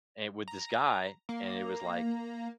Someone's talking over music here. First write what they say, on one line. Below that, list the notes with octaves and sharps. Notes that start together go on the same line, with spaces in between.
and with this guy, and it was like,
A#5
A#3